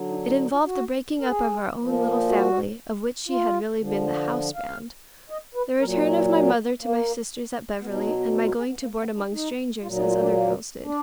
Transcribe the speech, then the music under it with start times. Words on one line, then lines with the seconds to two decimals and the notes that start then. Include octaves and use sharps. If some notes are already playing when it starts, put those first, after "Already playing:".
It involved the breaking up of our own little family, of which she had really been the "houseband," the return of my mother to my sisters at Beverly, and my going to board among strangers, as other girls did.
Already playing: D3 F#3
0.09 D#4
0.27 D#4
0.39 D#4
0.52 F4
0.65 F#4
1.20 A#4
1.28 G#4
1.78 A#2 F3
2.29 F#4
3.28 F4
3.80 D3 F3
4.55 F5
5.30 D#5
5.55 B4
5.80 A#2 F#3 A#4
5.93 F4
6.18 B3
6.31 A#3
6.47 B3
6.65 B3
6.82 A#3
7.81 B2 F#3 B3
7.94 D#4
8.07 D#4
8.20 B3
8.32 D4
8.44 F4
8.58 G#4
8.70 B3
8.83 A#3
9.00 B3
9.17 D4
9.33 D#4
9.83 A#2 F#3 F4
9.96 D#4
10.09 F4
10.22 D4
10.33 A#3
10.84 D4